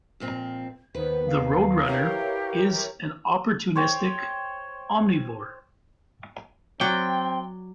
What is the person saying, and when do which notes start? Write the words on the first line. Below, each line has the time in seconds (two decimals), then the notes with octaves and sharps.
The roadrunner is an opportunistic omnivore.
0.20 F2 A#2 C4
0.95 D#2 D#3 B3 B4 C5
1.26 F5
1.85 E4 G4 A#4 C#5
3.76 C5 C#5 G5
6.81 F#3 C4 F#4 D5 G5